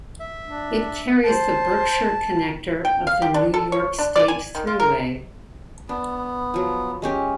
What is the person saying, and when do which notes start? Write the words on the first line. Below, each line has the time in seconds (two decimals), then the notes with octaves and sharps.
It carries the Berkshire Connector of the New York State Thruway.
0.20 E5
0.45 D4
1.24 C5 A5
2.85 G5
3.07 F5
3.22 G4
3.34 D4
3.54 A4
3.72 C#5
3.98 D4
4.16 D5
4.28 G#5
4.55 D#3
4.67 F4
4.80 A#4
5.89 B3 D4
6.54 F3 F#3
7.02 G#3 C#4 G4